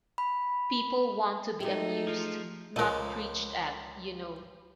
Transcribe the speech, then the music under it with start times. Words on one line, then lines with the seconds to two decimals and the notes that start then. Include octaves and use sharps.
People want to be amused, not preached at, you know.
0.18 B5
1.60 G#3 A3 D#4 G4 A4
2.09 F3
2.76 C#2 F3 A#4 D#5